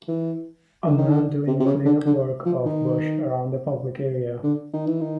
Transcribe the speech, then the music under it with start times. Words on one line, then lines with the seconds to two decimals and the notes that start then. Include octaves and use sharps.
A man doing clean up work of brush around a public area.
0.08 E3
0.86 D3
0.98 D#3
1.09 D3
1.47 C3
1.60 C3
1.66 C#3
1.85 D3
2.06 D3
2.45 F3
2.65 D#3
4.44 D3
4.73 D#3
4.86 E3
5.01 D#3